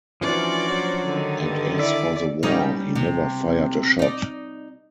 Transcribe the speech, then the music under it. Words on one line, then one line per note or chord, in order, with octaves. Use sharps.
And as for the war, he never fired a shot.
E3 F3 C#4 D4 F#4 C5 D5
F#3
D3 D#3
G2
E4 D5 E5
G3 C#4 D#4
C3
D#4 D5